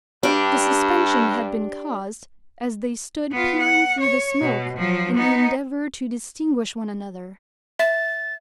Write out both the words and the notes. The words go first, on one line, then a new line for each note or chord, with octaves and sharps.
The suspension had been caused as they stood peering through the smoke in the endeavour to distinguish one another.
G2 D4 G4
B3 F4
F#5
C#5
B2
F3 F#3
B3 D#4
E5 A6